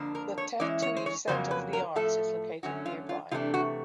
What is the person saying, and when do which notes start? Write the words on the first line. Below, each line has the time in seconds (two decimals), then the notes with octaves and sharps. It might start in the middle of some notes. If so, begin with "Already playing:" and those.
The Te Tuhi Centre for the Arts is located nearby.
Already playing: F2 D3 F3 A#3 D4
0.15 A#4
0.38 C#5
0.60 E3 G#3 C#4 E4 D5
0.82 C#5
0.97 C5
1.06 C#5
1.28 F2 C#3 F#3 A#3 C#4 C5
1.51 B4
1.73 A#4
1.95 A2 F3 A3 A4
2.63 F#2 D3 F#3 A3 C#4 F#4
2.86 F4
3.09 F4
3.31 C3 E3 A3 D4 F4
3.54 F#4